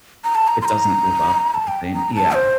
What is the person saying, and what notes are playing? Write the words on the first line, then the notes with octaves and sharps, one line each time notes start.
It doesn't live up to the same Yeah,
A#5
A5
A#5
C6
A#5
A5
G5
A#5
A5
C5